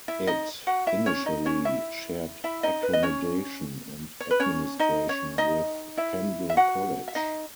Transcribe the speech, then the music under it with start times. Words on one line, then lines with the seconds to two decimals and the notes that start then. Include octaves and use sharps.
It initially shared accommodation and administration with Pendle College.
0.08 E4 E5
0.27 D#4 D#5
0.67 F#4 F#5
0.87 E4 E5
1.06 C#4 C#5
1.26 D#4 D#5
1.46 C#4 C#5
1.65 E4 E5
2.44 E4 E5
2.63 D#4 D#5
2.83 B4
2.93 D#5
3.03 C#4 C#5
4.20 C#5
4.31 B4
4.40 C#4 C#5
4.79 D#4 D#5
5.09 C#4 C#5
5.38 D#4 D#5
5.97 E4 E5
6.50 E5
6.57 F#4 F#5
7.08 E5
7.15 D#4 D#5